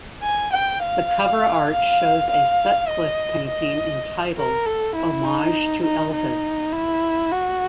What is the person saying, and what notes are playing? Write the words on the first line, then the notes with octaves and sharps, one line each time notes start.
The cover art shows a Sutcliffe painting entitled "Homage to Elvis".
G#5
G5
F5
F5
F5
D#5
D#5
A#4
A4
E4
D#4
D#4
D#4
E4
F#4